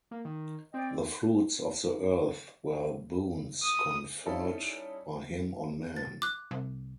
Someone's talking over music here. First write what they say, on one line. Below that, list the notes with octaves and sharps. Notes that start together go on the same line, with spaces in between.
The fruits of the earth were boons conferred by him on men.
A#3
D#3
C4 D5 D#5 G5
D#6
G3 C#4 D#4 E4 A4
A6
D6 F#6
C2